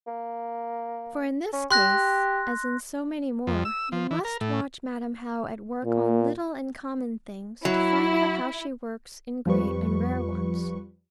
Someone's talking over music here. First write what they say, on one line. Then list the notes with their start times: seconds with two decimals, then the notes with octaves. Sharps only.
For in this case, as in so many more, you must watch Madam How at work on little and common things, to find out how she works in great and rare ones.
0.07 A#3
1.53 C#4
1.71 G4 C6 F#6 A#6
3.47 F2
3.65 E6
3.92 F3
4.11 E3
4.25 A#4
4.41 A2
5.85 A#2
7.65 F#3 E4
9.46 F2 F3 G3 B4 C#6